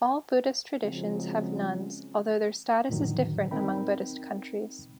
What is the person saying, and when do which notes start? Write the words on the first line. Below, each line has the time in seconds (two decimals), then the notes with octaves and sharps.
All Buddhist traditions have nuns, although their status is different among Buddhist countries.
0.82 C#3 F3 F#3 G#3 C4
2.89 F2 A2 D3 D#3 F#3
3.51 C4 D#4 A#4 G5 B5